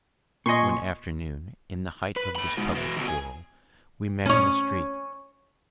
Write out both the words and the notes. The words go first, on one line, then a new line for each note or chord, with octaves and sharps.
One afternoon, in the height of this public quarrel, we met in the street.
A#2 D#5 G#5 C6 C#6
B4
A4 B5
G#2 B2
B2 E3
D2 B2
G#4
C#4 C#5